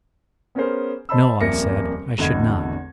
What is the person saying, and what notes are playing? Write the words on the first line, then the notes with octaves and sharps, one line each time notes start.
No, I said, I should not.
B3 C#4 G#4 A#4 C5
C5 D#5 A5 B5 E6
D#1 F2 A#3 E5 A#6 C#7
G#1 E2 D3 A3 D#5 G#6